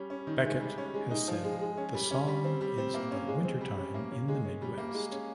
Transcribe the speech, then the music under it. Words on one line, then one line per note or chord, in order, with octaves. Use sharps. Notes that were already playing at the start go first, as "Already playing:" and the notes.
Beckett has said the song is about winter time in the Midwest.
Already playing: G3 C#4
C#4
D#3
G#3
G3
C#4
G#3
D#4
F3
G#3
G#3
C#4
G3
C#4
G3
C4
G3
C4
A#3
C#4
G#3
C4
G3
C#4
A#3
C#4
G#3
C#4
G3
A#3
G#3
C#4